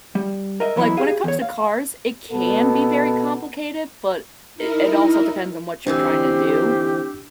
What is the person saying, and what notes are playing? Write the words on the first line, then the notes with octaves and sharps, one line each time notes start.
like, when it comes to cars, it can be very complicated, but it it also depends on what you're trying to do,
G3
A#4 D#5 E5
E3 F#3 B3 D#4 E4
G4 G#4 F5
E2 C#5
F5
B2 B3 A4
D#4 E4 A#4
D3 E3 C4 D4 D#4 G4 E6